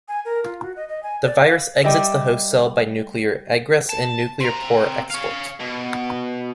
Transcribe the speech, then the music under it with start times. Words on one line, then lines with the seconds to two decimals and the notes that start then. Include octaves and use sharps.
The virus exits the host cell by nuclear egress, and nuclear pore export.
0.08 G#5
0.25 A#4
0.44 F4
0.62 F#4
0.76 D#5
0.89 D#5
1.03 G#5
1.24 D5
1.40 F5
1.84 G3 G4 D#5 E5
3.89 A5
4.40 C4 A#5
5.10 C#5 F5
5.60 B2